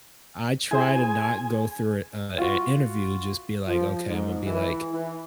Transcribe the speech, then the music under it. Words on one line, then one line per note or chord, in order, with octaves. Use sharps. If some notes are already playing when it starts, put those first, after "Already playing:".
I try to not go through a an interview, just be like, okay, Imma be like,
E4 G#4 C5 G#5
F4 F#4
F3
G#2
E3
E3